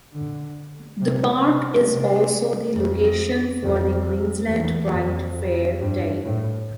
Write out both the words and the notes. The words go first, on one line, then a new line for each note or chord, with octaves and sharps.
The park is also the location for the Queensland Pride fair day.
D3
C3
C3
C3
F2
F2
E2
F2
F2
G2
A2